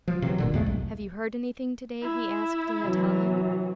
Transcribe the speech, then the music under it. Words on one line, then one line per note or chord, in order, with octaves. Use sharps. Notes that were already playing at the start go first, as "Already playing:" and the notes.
"Have you heard anything to-day?" he asked in Italian.
F3
C3 E3 F#3
D1 A#2 D3
E2 C3 G#3 A3
B1
E4
C3 E3 F#3